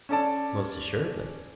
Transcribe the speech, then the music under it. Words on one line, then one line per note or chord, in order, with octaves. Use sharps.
Most assuredly.
C#4 A4 D5 A5